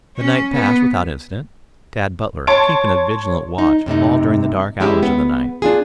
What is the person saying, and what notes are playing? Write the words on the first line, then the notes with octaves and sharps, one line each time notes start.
The night passed without incident, Tad Butler keeping a vigilant watch all during the dark hours of the night.
C#4
B3
C#5 A5 C6 D7
D#4
F#2 C3 A3 D#4
G#3 C#4 E4 G4
B3
D4 F4 G#4